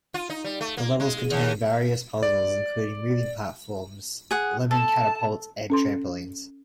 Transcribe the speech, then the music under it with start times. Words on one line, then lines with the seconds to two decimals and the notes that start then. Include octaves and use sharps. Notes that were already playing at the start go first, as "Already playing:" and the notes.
The levels contain various puzzles including moving platforms, lemming catapults, and trampolines.
0.14 F4
0.30 D#4
0.44 G3
0.61 A3
0.77 A#3
1.00 G#3
1.31 D#2
2.23 D5
4.31 G#4 F#5
4.71 A4 A5
5.70 C#4 A4 C6